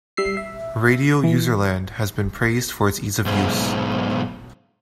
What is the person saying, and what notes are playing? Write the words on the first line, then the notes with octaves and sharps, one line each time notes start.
Radio UserLand has been praised for its ease of use.
G3 E5 C7
E5
E3
B1 G#2